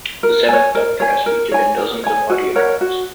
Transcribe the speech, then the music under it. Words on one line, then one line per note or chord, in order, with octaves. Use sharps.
The Seventh Doctor has featured in dozens of audio dramas.
A#4
C#5 G#5
A#4
C#5 G#5
A#4
C#5 G#5
A#4
C#5 G#5
F#4
A#4 C#5 F#5
F#4